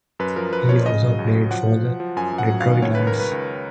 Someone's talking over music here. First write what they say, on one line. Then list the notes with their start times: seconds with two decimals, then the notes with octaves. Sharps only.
He also played for the Detroit Lions.
0.19 F#2 B4
0.36 F3 A#4
0.53 F#2 B4
0.69 F3 C#5
0.85 C#3 D#5
1.01 F#3
1.19 C#2
1.35 F#3
1.51 F3 F#5
1.67 F3
1.84 F3
2.00 F3
2.16 F#2 G#5
2.33 F#2
2.38 F#5
2.49 F#3
2.60 F5
2.66 D#3
2.82 C#2 C#5
2.95 C#2 B4
3.07 A#4
3.15 C#2 B4
3.31 C#2